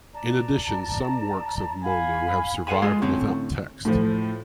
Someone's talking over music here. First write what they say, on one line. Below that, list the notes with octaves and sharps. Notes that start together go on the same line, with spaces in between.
In addition some works of Moulu have survived without text.
D5 A5 A#5
F5 G#5 B5
A4 F5 F#5 G#5 B5
G#3 F4 G#4 C5
A2 D3 C4 C#4 C6
A2 F3